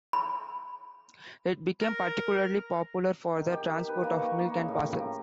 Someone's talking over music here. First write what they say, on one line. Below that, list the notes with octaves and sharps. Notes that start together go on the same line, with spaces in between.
It became particularly popular for the transport of milk and parcels.
B5
A#4
D#3
G4
G4
B4
A#3
C#6
A#3
C#3
A2
G4
A#5